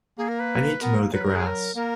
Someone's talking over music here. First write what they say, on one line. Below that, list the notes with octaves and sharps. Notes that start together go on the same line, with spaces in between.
I need to mow the grass.
A#3 G#4
A#4
B4
B3 A#4
A#3
F#3 B4
A#4
G#4
A#4
A#3 A#4